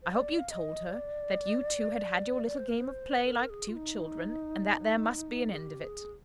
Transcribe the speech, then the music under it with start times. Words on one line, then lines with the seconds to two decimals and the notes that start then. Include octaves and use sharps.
"I hope you told her that you two had had your little game of play, like two children, and that there must be an end of it."
0.02 C5
0.11 D5
0.39 F5
0.51 D#5
0.89 D5
2.46 D5
2.57 C5
2.69 A#4
2.80 C5
3.24 A#4
3.50 G#4
3.69 F4
3.76 D#4
5.52 G#4
5.58 G4
5.84 G#4